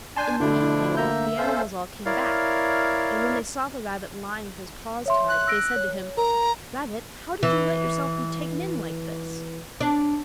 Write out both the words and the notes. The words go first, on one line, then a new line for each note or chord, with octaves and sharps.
In the evening the animals all came back, and when they saw the rabbit lying with his paws tied, they said to him: 'Rabbit, how did you let yourself be taken in like this?'
D4 G#5 A5 C6 G6
B2 D3 F3 A3 D4 E4
A#3 E5 A#5 G6
C#4 A4 C5 F5
E4 A#4 C#5 D5 F5
C#5 E5 C6
F#6
E6 A#6 D7
C#5
A#4 A#5
E3
D4